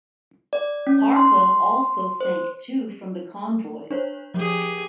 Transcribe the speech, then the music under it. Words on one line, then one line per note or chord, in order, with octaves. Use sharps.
"Parche" also sank two from the convoy.
D5
C#4
C6
C5
D4 C5 C#5
F3 G4 G#4